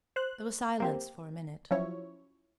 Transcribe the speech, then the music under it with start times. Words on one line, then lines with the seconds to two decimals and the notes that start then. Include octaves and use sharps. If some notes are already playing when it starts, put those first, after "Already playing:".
There was silence for a minute.
0.16 C5 F#6
0.80 A#3 C4 G4
1.71 F3 F#3 C#4 E4 C#5